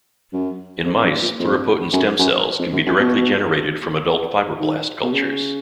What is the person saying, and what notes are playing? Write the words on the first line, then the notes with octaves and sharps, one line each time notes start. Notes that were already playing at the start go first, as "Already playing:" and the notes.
In mice, pluripotent stem cells can be directly generated from adult fibroblast cultures.
F#2
F2
F#2
A#2
F2
F#2
F#2
F2
F#2
F#2
B2
D#3
B2
C#3